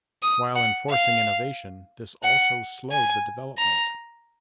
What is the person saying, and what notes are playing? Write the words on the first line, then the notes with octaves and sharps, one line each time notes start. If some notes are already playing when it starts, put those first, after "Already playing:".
While enforcing innovation, this also slowed the development.
D#6
F#5
F5
F#5
G#5
A#5